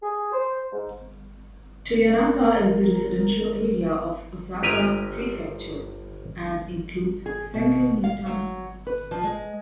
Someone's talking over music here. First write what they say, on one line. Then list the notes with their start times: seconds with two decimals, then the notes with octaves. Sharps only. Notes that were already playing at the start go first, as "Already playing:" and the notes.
Toyonaka is a residential area of Osaka Prefecture, and includes Senri New Town.
0.03 G#4
0.32 C5
0.72 G#2
2.08 A#4
4.63 G1 G4 B4 G#5 A#5
7.26 G#4
7.54 B2
8.04 F5
8.26 F#3
8.87 B4
9.11 F3
9.24 G#3